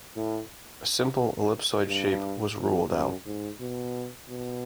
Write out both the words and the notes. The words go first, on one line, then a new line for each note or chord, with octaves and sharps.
A simple ellipsoid shape was ruled out.
A2
G2
F2
F#2
G#2
B2
B2